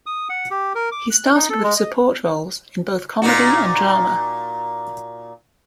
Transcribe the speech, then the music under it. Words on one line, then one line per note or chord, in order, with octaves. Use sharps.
He started with support roles in both comedy and drama.
D#6
F#5
G4
A#4
D6
F#6
D#4
A4
G#3
D#5
A#2 D#4 F#4